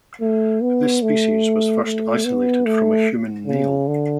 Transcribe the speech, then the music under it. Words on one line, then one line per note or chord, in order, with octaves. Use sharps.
This species was first isolated from a human nail.
A3
B3
A3
A3
B3
A3
C#3
D3